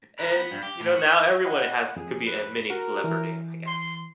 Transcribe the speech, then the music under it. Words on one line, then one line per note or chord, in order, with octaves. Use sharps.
and, you know, now everyone has could be a mini celebrity, I guess.
A#4 B4
B3
G2
G4
A2
F#4
D#5 F#5 G5 B5
F2 G#4
B4
F#4 A#4
E3
C6